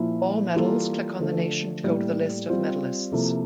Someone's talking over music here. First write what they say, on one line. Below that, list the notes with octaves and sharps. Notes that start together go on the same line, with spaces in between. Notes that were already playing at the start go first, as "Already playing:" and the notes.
All medals, click on the nation to go to the list of medallists.
Already playing: A#2 F3 A#3 E4
E3 G3 A#3 F4 A4
D3 F3 A3
A2 G3 A#3
G3 C4 F4 C5
C3 F3 A#3 E4 A4